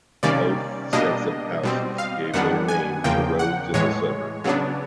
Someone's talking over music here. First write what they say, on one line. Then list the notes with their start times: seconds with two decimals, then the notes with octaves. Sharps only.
Both sets of houses gave their name to roads in the suburb.
0.23 C3 D#3 G3 A#3 C#4 D5
0.93 B2 G3 A#3 D4 D#5
1.63 B2 G3 C4
1.98 F5
2.34 F#2 D#3 G3 B3 D4 F#5
2.68 G#5
3.04 E2 C#3 F3 A#3 G5
3.39 F#5
3.74 A2 E3 G#3 C#5
4.44 C#3 F#3 B3 D4